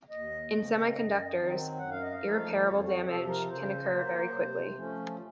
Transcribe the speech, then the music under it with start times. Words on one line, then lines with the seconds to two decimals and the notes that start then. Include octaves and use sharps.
In semiconductors, irreparable damage can occur very quickly.
0.10 D#2 D#5
0.52 C#3 A3 C4
0.94 F#2
1.36 D#3 F#3 C4
1.78 F#2 F#5
1.90 F5
2.02 D#5
2.13 F5
2.21 F3 A3 D#4
2.63 F2 C#5
2.84 F#4
3.05 C3 F3 A4
3.27 A#4
3.48 C#3 C5
3.90 A#3
3.95 F#3
4.32 C3
4.75 F3 A3 C#4